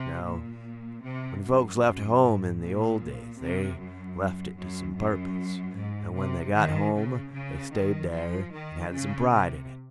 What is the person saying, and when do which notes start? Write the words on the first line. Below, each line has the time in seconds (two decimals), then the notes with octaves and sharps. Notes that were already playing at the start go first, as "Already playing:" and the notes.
No: when folks left home in the old days they left it to some purpose, and when they got home they stayed there and had some pride in it.
Already playing: C3
0.25 A#2
1.03 C3
1.43 F#2
1.82 F#2
2.21 G#2
2.61 A#2
3.40 C3
3.79 F#2
4.58 F#2
4.97 F#2
5.77 G#2
6.16 C3
6.55 D#3
6.94 C#3
7.34 C#3
7.73 D#3
8.12 F3
8.52 D#3
8.91 C#3
9.32 C3